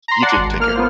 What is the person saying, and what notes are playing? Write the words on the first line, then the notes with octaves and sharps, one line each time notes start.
You too, take care.
A#5 C6
D5 F#5 A5 C6
G#1
A#3 F6
B3 F4 C5